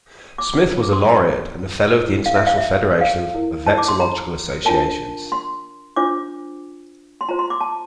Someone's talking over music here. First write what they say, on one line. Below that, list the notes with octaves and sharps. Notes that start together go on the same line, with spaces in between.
Smith was a Laureate and a Fellow of the International Federation of Vexillological Associations.
D6
F4 A4 C5
D6
C6
E4 A4 C5
F5
E5
F5
E5
F5
E4 A#4
A5
D6
C6
A#5
D4 F4 A#4 A5
C6
D4 F4 C5 D6
C6
F4 C5 A#5
C6
D6
A5